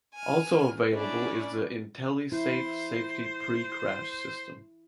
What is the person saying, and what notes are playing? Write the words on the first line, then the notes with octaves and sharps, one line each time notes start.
Also available is the IntelliSafe safety precrash system.
G#5 F6
C#4 D4 E4 D5
E4 C5